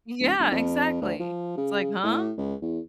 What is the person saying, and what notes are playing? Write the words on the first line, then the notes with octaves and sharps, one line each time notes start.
Yeah, exactly. It's like, huh?
D1
G1
F2
D2
F3
C#3
A2
C#2
E2